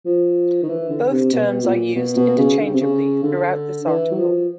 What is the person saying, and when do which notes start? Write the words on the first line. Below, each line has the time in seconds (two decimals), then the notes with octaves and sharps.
Both terms are used interchangeably throughout this article.
0.05 F3
0.63 D#3
0.69 E3
0.90 D3
1.11 C3
1.33 B2
1.64 A#2
1.96 B2
2.17 B2
2.38 C#3
2.60 D3
2.67 C#3
2.73 C3
2.81 C#3
3.23 D3
3.86 E3
4.11 F#3
4.18 F3